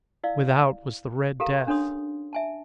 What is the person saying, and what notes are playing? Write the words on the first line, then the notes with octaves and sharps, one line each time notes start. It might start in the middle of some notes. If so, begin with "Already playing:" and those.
Without was the "Red Death."
E4 D5 F5 E6
G4 A4 A#4 F5 A#5
C#4 D4 A4 C#5 C6 D#6
E5 G#5 A5